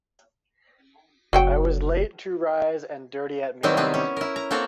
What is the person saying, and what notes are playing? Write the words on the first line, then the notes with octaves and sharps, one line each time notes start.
I was late to rise and dirty at meals.
F#1 F#3 F#4 G5
D#3 F#3 G3 C4 E4
C3 B3 C4
C#4
E4 A#4
A#5
A#3 C4 F#4 A4 A#5